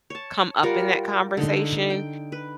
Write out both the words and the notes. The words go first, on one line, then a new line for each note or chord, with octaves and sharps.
come up in that conversation,
C#5 A5
G3 F4 A#4 F#5
D3 D#4 C6
G5
B4